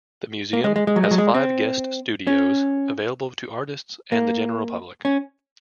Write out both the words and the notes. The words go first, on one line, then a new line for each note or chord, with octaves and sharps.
The museum has five guest studios available to artists and the general public.
A#3
G#3
G#3
G#3
F#3
G#3
F#3
G#3
C4
C#4
A#3
C#4